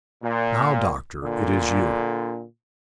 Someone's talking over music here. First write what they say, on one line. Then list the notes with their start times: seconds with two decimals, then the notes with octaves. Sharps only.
"Now, doctor, it is you."
0.22 A#2
1.23 A#2 D3